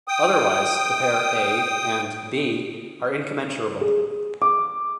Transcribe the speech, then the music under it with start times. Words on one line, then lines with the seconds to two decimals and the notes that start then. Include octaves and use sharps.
Otherwise the pair "a" and "b" are incommensurable.
0.08 G5 D#6
3.81 G#4
4.42 D6